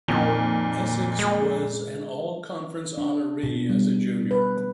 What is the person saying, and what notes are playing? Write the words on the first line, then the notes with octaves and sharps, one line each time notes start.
Essex was an All-Conference honoree as a junior.
F2 A#2 D#3
G#3
D4
B2
G3
B4